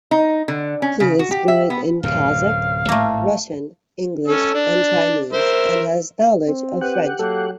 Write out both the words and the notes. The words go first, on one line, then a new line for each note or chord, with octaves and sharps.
He is fluent in Kazakh, Russian, English and Chinese and has knowledge of French.
D#4
D3
C#4
C#3
F#4
G4
E5
B3
D1 F#2 C3 F5
G#1 A2 A3 A#3
C#4 A4 E6
D4
A#4 C5 E5
C4
G4 B4 F#5
F#3 A#3 A4